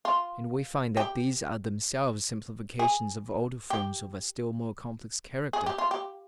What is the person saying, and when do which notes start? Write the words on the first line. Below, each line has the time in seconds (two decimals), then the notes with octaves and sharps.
And we find that these are themselves simplifications of older forms of a still more complex character.
0.05 F4
0.97 G4
2.79 G#4
3.70 G4
5.53 G#4
5.66 G4
5.78 F4
5.91 G4